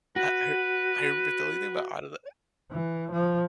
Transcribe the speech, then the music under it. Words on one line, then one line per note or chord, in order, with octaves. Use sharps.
uh, I r I remember the only thing about Out of the
F#4 B4
E3
F3